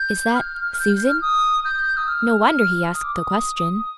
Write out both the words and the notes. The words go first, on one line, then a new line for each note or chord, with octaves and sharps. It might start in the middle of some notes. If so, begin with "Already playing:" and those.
"Is that--Susan?" No wonder he asked the question.
Already playing: G6
F6
G6
F6
D#6
G6
D#6
F6
D#6
D6
D#6
D#6